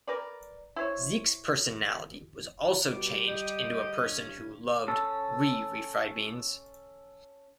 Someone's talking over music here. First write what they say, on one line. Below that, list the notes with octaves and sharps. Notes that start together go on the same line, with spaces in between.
Zeke's personality was also changed into a person who loved 're-refried beans'.
A#4 B4 D5
E4 C5 C#5
B2 G3 D6
G4 D#5
G2 C#4
C#4 A4